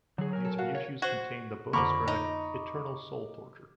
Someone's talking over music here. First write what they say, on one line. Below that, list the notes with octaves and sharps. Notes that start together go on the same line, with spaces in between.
These reissues contains the bonus track "Eternal Soul Torture".
D3 F#3 G#4
A#4 G#5
A4
F#4 A4 F5
C#5
F#4 C5 G#6
F2 D3 A#3 A#5 B5 C#6 D6
D#4